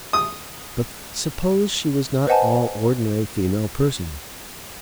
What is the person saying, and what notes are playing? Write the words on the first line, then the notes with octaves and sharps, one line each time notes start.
But suppose she was not all ordinary female person....
D#6
B4 C5 D#5 F#5 G#5 A5